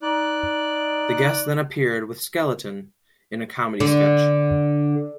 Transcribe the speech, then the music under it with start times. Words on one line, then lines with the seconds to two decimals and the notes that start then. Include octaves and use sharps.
The guest then appeared with Skelton in a comedy sketch.
0.02 D#4 D5 F#6
3.80 D3